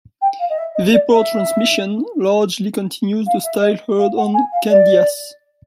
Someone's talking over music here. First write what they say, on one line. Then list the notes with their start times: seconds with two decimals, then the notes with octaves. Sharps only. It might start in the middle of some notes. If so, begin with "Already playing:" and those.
"Vapor Transmission" largely continues the style heard on "Candyass".
0.21 G5
0.39 F5
0.49 D#5
0.58 E5
0.74 D#5
0.93 D5
1.11 E5
3.26 F5
3.43 E5
3.61 D#5
3.98 F5
4.16 F#5
4.33 G#5
4.52 F5
4.69 D5